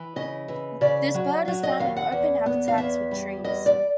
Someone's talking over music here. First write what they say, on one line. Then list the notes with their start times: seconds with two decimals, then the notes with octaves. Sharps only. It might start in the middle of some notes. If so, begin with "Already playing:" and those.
This bird is found in open habitats with trees.
Already playing: E3
0.16 C#3 D#5
0.48 E3
0.81 C#3 D5
1.14 F#3
1.48 F#3
1.63 D#5
1.79 D#2 F5
1.97 F#5
2.12 E2
2.46 B3
2.68 F5
2.78 E2 E5
3.11 G3
3.44 E2 D#5
3.66 D5